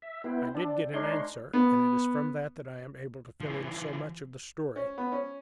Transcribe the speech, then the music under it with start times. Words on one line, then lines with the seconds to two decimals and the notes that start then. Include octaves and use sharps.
I did get an answer, and it is from that that I am able to fill in so much of the story.
0.02 E5
0.24 B3 E4 C5 G5
0.55 D4 D5 E5
0.93 G#3 D4 D#4 A#4 C#5 C6
1.53 B3
3.40 E3 F3
4.76 C#4
4.98 B3
5.12 C#4